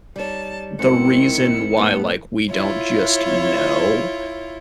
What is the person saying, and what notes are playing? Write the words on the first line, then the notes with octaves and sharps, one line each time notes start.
the reason why, like, we don't just know
G3 D#4 C#5 A5
G#2 D#3 C4 E4 C#7
A2 B3
E4 F4 C#5